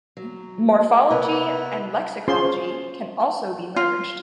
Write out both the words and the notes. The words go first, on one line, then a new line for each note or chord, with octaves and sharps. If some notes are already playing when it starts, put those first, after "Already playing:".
Morphology and lexicology can also be merged.
F#3
C3 B3 E4 A#4 B4
C#4 F4 G#4 C5 C6
F4